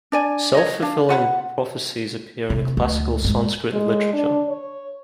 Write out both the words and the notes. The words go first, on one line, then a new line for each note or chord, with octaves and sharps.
Self-fulfilling prophecies appear in classical Sanskrit literature.
D4 D5 G#5
C#5 D#5
D4 F5
F4 F#5 B5
C3
D2
G#2
G#3
D4
C#5